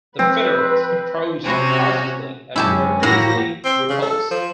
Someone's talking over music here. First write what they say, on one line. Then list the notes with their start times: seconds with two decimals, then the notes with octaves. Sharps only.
The Federals approached cautiously and were easily repulsed.
0.19 F3 C4 B4
1.43 C3 C#4 F#4
2.56 F#2 D3 G#3 C#4 E4 G4 A5
3.03 A2 A#3 F#4 G4 A#6
3.64 C4
3.89 C#3
4.02 A4
4.31 F3